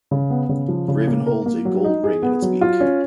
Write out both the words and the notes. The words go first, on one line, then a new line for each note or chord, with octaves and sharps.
The raven holds a gold ring in its beak.
C#3
B3
C#3
F3
C#3
A#3
A#4
A#3
F#3
D#4
G#4
B3
F#3
F4
C#4